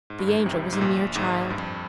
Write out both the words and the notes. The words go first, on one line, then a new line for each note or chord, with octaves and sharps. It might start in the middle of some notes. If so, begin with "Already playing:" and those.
The Angel was a mere child.
G#2
G2
G#1 G#2
C2 C3
G#2
A#1 A#2
G#1 G#2
G2
F2